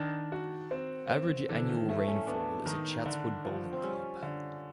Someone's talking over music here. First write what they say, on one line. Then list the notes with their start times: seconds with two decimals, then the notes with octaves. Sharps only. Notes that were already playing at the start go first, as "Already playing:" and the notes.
Average annual rainfall is at Chatswood Bowling Club.
Already playing: D#3 D4
0.32 F#4
0.71 C4
1.11 C4
1.49 D3 E3
1.69 D#3
1.88 A2 A3
2.07 C#4
2.27 B3 D4
2.66 D#3 D#4
3.05 D3 D4
3.45 F3
3.73 C4
3.83 G3 C#4
4.22 D3